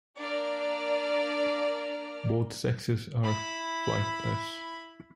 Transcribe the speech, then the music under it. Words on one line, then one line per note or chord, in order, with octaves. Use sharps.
Both sexes are flightless.
A#3 D4 A#4 D5 F6
E4 B5